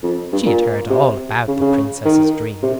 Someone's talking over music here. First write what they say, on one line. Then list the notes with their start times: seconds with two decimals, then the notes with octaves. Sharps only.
She had heard all about the Princess's dream.
0.03 F2
0.32 G2
0.46 A#2
0.90 C3
1.48 C#3
1.61 C#3
2.05 D#3
2.63 C3